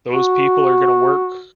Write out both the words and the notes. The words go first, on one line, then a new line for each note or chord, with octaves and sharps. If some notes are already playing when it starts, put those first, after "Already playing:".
those people are gonna work
F#4